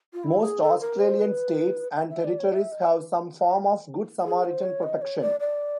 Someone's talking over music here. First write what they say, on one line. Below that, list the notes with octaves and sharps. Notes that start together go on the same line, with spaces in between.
Most Australian states and territories have some form of good Samaritan protection.
F4
E4
G#4
A4
A#4
C5
B4
E5
E5
D5
C#5
E5
D#5
G#4
C5
C#5
D#5
C#5
D5
D5